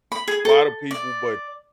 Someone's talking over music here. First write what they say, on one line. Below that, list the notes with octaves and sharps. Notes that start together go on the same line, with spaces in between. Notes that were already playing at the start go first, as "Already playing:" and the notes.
lotta people but
B5
G#4
A4
D5